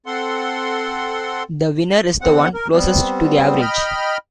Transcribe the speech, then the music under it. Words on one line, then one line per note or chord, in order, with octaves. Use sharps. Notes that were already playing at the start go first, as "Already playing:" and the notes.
The winner is the one closest to the average.
C4 A4 F#5 C6
E2 D3 C4 F#5
A#4
G3 B3 C4
D#5 G5 B5 F6